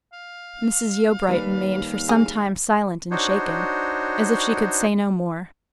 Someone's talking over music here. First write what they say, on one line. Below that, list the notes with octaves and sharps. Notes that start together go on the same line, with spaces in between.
Mrs. Yeobright remained for some time silent and shaken, as if she could say no more.
F5
D#2 G3 B4
G#4
D4 D#4 F#4 C5 C#5